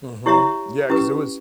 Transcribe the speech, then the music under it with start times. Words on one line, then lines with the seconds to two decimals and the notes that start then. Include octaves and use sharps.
Mhm. Yeah, 'cause they was
0.26 E4 G4 C#5 E5 A#5
0.90 C#4 E4 G4 B4